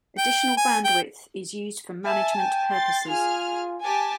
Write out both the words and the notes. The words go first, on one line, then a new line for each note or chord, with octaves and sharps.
Additional bandwidth is used for management purposes.
G5
G#5
G5
E5 G#5 A5
G5
C6 A6
F4 G#4 G#5 F6
G4 G#5 A5